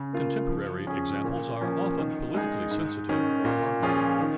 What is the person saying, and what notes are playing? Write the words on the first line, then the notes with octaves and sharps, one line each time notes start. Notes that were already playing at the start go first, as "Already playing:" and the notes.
Contemporary examples are often politically sensitive or arguable.
Already playing: C#3
A#3 F4
F3
C#4 G#4
A#2
F3 A#3 C#4
D#3
G#3 D#4 G#4
G#2
D#3 C#4
A#2
F3 C#4 F4 G#4
D#3